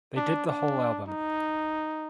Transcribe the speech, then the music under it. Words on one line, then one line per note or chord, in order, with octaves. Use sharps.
They did the whole album.
D4
D4
D#4